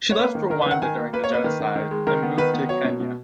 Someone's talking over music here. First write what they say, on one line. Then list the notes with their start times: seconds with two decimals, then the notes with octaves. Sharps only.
She left Rwanda during the genocide and moved to Kenya.
0.11 C#5
0.19 A#3 B4
0.35 D#3
0.50 D#3 A#4
0.61 B4
0.66 D#3 F#5
0.82 D#3 G#5
0.97 A#3
1.13 A#3 B4
1.24 C#5
1.29 A#3 B4
1.44 D#3
1.60 D#3
1.76 D#3
1.91 G#3
2.07 D#3 A#4
2.22 B3
2.38 D#3 B4
2.54 B3
2.69 F#3 C#5
2.85 B2
3.00 B2